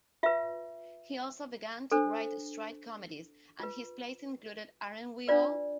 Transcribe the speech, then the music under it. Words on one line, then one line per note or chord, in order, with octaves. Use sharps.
He also began to write straight comedies, and his plays included Aren't We All?
F4 B4 E5
D4 A4 C5
F4 B4
D4 F4 B4 D5